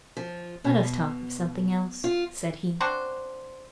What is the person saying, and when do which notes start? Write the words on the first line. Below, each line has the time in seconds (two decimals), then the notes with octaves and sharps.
"Let us talk of something else," said he.
0.17 F3
0.64 B2
2.04 F4
2.81 C4 D4 F#4 C5